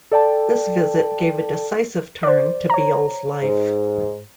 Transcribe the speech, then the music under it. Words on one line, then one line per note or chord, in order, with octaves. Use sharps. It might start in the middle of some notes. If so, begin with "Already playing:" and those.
This visit gave a decisive turn to Beel's life.
A4 D5 G5 A5
C5 D5
C#5 A#5
G#2